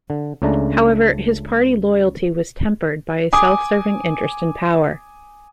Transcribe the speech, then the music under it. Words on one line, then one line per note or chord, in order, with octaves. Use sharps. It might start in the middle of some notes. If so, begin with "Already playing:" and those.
However, his party loyalty was tempered by a self-serving interest in power.
D3
C#2 C#3 A3 D4 D5 A#5
G#5 D6 D#6